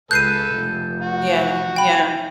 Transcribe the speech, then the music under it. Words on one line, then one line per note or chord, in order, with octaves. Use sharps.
Yeah. Yeah.
C#2 A4 B4 E6 F#6 G6 C7 D#7
F1
F#4
G5 B5